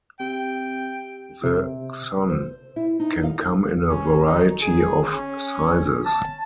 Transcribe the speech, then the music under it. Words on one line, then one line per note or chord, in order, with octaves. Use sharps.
The xun can come in a variety of sizes.
C3 G5
C3
C5
E4
D#4
F5
C#4
D#4
G#4
C#4
A5